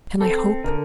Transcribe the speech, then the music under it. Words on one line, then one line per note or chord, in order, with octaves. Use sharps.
Can I hope?
C4 A4
D3 A#4